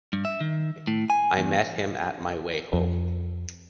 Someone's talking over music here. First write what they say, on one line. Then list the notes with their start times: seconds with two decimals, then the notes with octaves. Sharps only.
I met him at my way home.
0.13 G2
0.25 E5
0.41 D#3
0.87 A2
1.10 G#5
1.37 E2
2.73 F2